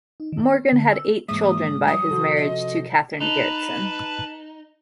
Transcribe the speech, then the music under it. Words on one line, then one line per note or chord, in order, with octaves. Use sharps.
Morgan had eight children by his marriage to Catherine Garretson.
D#4
D#3
B3
D3
E6
G#2 E3 G#3 A#3 E5 D#6
G3 C#5 D#6
C3 F3 F#4 A4
D#5
D#4 B4 A5 B5